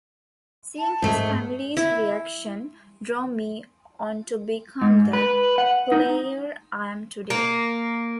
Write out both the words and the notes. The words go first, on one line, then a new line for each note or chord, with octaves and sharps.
Seeing his family's reaction drove me on to become the player I am today.
A5
G#2 A3
E4
G#2
B4
F#5
D#4
A#3